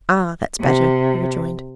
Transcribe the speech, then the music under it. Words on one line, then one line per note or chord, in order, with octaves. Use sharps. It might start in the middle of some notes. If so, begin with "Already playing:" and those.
"Ah! that's better," he rejoined.
C3